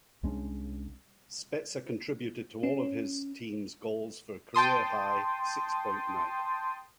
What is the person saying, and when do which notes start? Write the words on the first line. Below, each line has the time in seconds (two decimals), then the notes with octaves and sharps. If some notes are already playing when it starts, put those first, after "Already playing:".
Spezza contributed to all of his team's goals, for a career-high six-point night.
0.23 C2 G#3 C#4 D4
2.63 C#4
4.54 G5 A5 C6 D#6